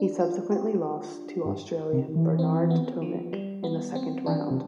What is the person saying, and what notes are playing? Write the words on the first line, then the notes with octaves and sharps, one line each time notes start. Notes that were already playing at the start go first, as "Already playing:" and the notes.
He subsequently lost to Australian Bernard Tomic in the second round.
Already playing: D4
F4
G4
G2
C3
E3
C4
B3
F3
G3
B3
C4
E3 D4
C3